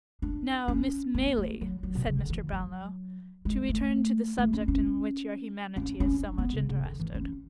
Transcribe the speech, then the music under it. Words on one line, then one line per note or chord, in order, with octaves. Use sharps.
'Now, Miss Maylie,' said Mr. Brownlow, 'to return to the subject in which your humanity is so much interested.
D4
C#4
B3
A3
F#3
F#3
B2
C#3
D3
E3
F#3
G#3
A3
A3
C#4
C#4
C#4
C#4
D4
B3
C#3
C#3
D3
E3
C#4